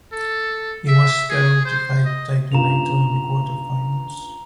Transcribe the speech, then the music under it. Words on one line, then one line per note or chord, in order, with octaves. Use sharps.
He was scheduled to fight Taiki Naito in the quarterfinals.
A4
E5
G#4
C5
D#5
C#2 G2 A#2 A#5 F7